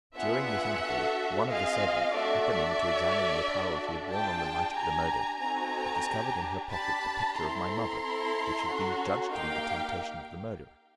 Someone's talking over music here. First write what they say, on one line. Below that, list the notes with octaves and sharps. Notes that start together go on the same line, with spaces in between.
During this interval, one of the servants, happening to examine the apparel she had worn on the night of the murder, had discovered in her pocket the picture of my mother, which had been judged to be the temptation of the murderer.
B3 D4 F4 G#4 E5 F#5
D4 F#4 A4
C4 F4 G#4 D#5 F5
A3 D4 F#4 A4 D5 E5
D4 F#4 A4
D4 F#4 A4
D4 F4 G#4 G5 A5
D4 G4 G#5 A#5
C4 D#4 F#4 A4 G#5 A#5
D4 G4
D4 G4 A5 B5
C4 E4 A4 A#5 C6
C4 E4 A4
C#4 F#4 A4
A#3 D#4 G4 F5 G5